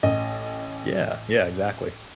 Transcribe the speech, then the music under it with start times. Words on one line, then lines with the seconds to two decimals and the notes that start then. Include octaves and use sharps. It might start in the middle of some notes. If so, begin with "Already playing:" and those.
Yeah, yeah, exactly.
0.03 A1 D#5